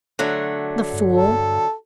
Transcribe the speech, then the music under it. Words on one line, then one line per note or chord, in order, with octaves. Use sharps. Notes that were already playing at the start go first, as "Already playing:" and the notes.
The fool!
D3 F#3 A3
G2
A4